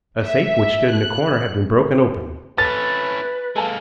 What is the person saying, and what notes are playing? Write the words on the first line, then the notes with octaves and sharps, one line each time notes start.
A safe which stood in a corner had been broken open.
E5
F#6
C#4 E4 A4 B4 A6
G#3 A#3 A4 G#5 A5